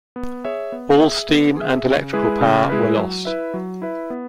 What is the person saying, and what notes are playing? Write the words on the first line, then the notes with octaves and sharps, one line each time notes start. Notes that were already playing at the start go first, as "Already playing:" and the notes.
All steam and electrical power were lost.
B3
G#4 C#5 E5
B3
G#4 E5
B3
G#4 E5
C#3
G#3 E4 G#4 B4
C#3
G#3 E4 G#4 B4
F#3
E4 B4 E5
F#3
E4 B4 E5
B3